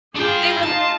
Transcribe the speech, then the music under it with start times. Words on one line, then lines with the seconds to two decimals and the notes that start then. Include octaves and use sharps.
They were l
0.15 D4 F4 G#4 G5
0.63 D#4 F4 A5